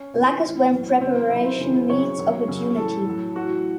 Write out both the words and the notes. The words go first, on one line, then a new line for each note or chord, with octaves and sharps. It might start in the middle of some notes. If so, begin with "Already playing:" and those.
Luck is when preparation meets opportunity.
Already playing: C#4
C3 E3
A2 E3
A2 F#3
C#3 E3 C4
C4
C3 D#3 F#3 E4
C5
C#3 E3
C#3 F#3 C#5
C3 D#3 F#3
C#3 F#3
A2 E3 A4
A2 F#3
A2 E3 F#4